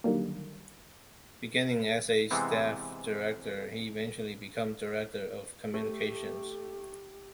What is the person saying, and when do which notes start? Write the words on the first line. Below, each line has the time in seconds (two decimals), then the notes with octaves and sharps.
Beginning as a staff director, he eventually became Director of Communications.
0.04 D3 D#3 F#3 G3 A#3
2.31 C3 E3 G#3 B3 C4
5.74 A3 G4